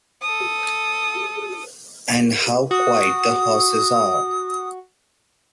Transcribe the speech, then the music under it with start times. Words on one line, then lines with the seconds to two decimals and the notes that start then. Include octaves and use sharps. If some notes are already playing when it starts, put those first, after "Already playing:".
And how quiet the horses are!
0.22 A4 D#6
2.71 F#4 D#6